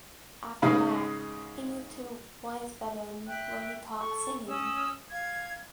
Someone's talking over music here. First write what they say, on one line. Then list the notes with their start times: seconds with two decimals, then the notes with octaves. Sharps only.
After that he moved to Wiesbaden where he taught singing.
0.62 G#2 C#3 D#4 F5 B5
3.28 E5 G5 F#6
3.99 A4 C#6
4.48 C#4 D#6 E6
5.11 F5 G#6